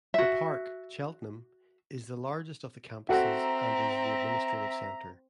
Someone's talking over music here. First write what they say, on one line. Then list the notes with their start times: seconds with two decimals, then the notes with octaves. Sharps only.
The Park, Cheltenham, is the largest of the campuses and is the administrative centre.
0.14 F#4 E5
3.09 C4 F#4 A4 E5 F#5 A#5